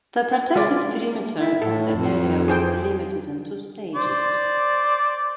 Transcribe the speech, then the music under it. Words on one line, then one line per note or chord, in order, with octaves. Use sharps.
The protected perimeter of the area was delimited in two stages.
G#3 F4 D5
E4
A2 A4
F2
G#4 C5 G5
C5 D5